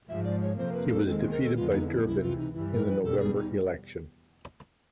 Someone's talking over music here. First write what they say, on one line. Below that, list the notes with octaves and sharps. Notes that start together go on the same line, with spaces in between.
He was defeated by Durbin in the November election.
G#2 F3 G#3 E5
D5
C#5
F2 C3 F3 A#3 C5
B4
A4
D#2 D#3 G#3 C4 A4
A#4
A4
F2 D3 F3 G#3 B3 F4
D#4
E4
C#2 C3 E3 E4
F4
D#4
G2 E3 G3 E4
A#4
B4
E2 B2 G3 A4
G#4
D#4